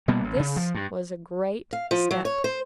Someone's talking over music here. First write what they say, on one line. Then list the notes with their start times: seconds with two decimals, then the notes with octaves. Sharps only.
This was a great step.
0.08 B2 G3 A#3 B3
0.24 A1
0.39 C#3
0.56 F3
0.75 G2
1.73 F5
1.91 F3
2.11 F#3
2.25 C#5
2.44 C5